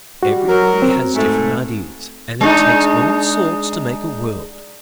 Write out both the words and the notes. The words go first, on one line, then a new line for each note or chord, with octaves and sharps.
Everybody has different ideals, and it takes all sorts to make a world.
G3 F#4
F#3 A#4
C4
G#2 A3
G#3 D4 D#4